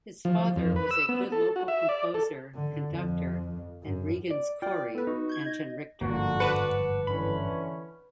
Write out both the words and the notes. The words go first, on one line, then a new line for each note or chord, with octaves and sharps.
His father was a good local composer, conductor and "regens chori" Anton Richter.
F3
F3
F2
B4
E6
B3
A4
F#4
E5
D5
A4
D3
F2
F#2
D5
F4 D5 G5
B3 A4 B4
D#4 F#4
G6 G#6
D#5
G1 F2 G#2 D3 F3 A#3 F#4
B4 F#5 A5 D6
D3 E3 C#4 B5